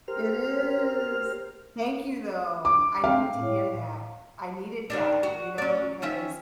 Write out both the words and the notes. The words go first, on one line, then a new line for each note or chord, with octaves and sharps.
It is. Thank you though. I need to hear that. I needed that, you know, because
G4 A#4 C5 F6
D6
C4 F5
A2
D#3 G3 D4
F#4
C#4 D5
D#3 C#4 E5